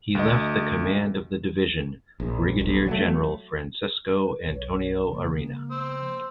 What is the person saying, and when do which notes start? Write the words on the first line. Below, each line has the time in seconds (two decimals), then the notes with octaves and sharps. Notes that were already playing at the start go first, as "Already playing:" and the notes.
He left the command of the division Brigadier General Francesco Antonio Arena.
0.15 D2 D#5
2.20 A#1
2.60 E1 B1
2.87 F#3 G#3 A3
4.19 B4
4.47 B1 C#5
5.11 C#3 F3 G#3 A#3
5.71 C5 E6